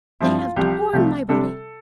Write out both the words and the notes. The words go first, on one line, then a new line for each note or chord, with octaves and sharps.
They have torn my body.
G2 F3 C4 E4
F4
C2 C3 F3 G4
C2 C3 F3 A3
C3 G3 D4 A4